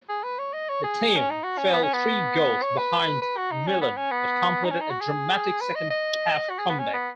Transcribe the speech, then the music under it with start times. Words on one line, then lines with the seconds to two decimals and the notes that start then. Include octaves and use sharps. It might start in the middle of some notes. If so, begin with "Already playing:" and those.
The team fell three goals behind Milan but completed a dramatic second-half comeback.
0.09 G#4
0.23 B4
0.39 C#5
0.53 D#5
0.69 C#5
0.83 G#4
1.16 C#4
1.30 D#4
1.44 F#4
1.58 C#4
1.73 B3
1.83 C#4
1.93 B3
2.62 C#5
2.77 B4
3.22 B4
3.37 F#4
3.51 D#4
3.67 C#4
3.81 B3
3.97 C#4
4.11 B3
4.65 D#4
4.70 C#4
4.81 D#4
4.90 F#4
5.01 G#4
5.61 B4
5.75 D#5
5.90 D#5
6.50 F#4
6.59 G#4
6.69 B3
6.79 C#4
6.94 B3